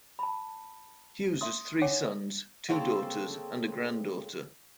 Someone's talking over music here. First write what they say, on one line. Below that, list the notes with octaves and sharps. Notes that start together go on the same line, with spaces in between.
Hughes has three sons, two daughters, and a granddaughter.
A5 B5
E5 C6 D#6
C#5 F#5 G#5 D6
C#3 A#3 C4 A4